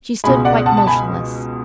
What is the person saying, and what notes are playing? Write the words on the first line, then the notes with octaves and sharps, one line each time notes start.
She stood quite motionless.
C#2 B2 G#3 G#5 B5
D5 F#5
F#5 A5
A5
G#5 B5